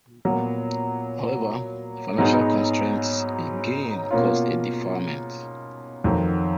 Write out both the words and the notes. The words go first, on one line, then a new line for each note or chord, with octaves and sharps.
However, financial constraints again caused a deferment.
A#2 F#3 B3 F#4
G#2 F#3 B3 D#4 G#4
B2 A#3 C#4 F4
F2 D#3 F#3